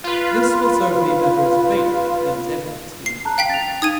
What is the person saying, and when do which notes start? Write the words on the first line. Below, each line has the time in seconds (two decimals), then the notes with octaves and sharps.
"This will serve me better as bait than as evidence," he laughed.
0.04 F4 B4
3.06 C7
3.25 A5 A#5 F#6
3.38 F5 G5 B6
3.50 A6 F7
3.82 D#4 D#6 G#6 D#7